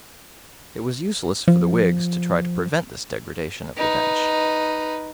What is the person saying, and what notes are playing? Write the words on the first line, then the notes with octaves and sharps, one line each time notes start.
It was useless for the Whigs to try to prevent this degradation of the bench.
F3
D#4 B4